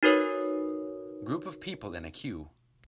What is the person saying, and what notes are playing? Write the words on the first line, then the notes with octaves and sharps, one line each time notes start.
Group of people in a queue.
D#4 F#4 A#4 B4 C#5 D#6